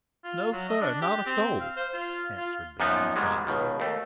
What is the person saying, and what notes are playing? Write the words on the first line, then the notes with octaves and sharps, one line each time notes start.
"No, sir, not a soul," answered Ben, decidedly.
F4
F#3
D#5
D4
G4
C4
F5
C5
F4
F4
F#2 A#2 F3 B3 D#4
G#2 B2 D#3 G3 G#3
C#2 B2 D#3
D#2 A3